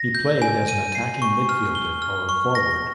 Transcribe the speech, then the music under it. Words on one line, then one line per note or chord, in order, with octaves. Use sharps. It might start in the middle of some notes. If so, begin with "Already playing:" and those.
He played as an attacking midfielder or forward.
Already playing: A#6
G6
G#5
D#7
C7
C#6
F6
G7
F6
C#6
A#6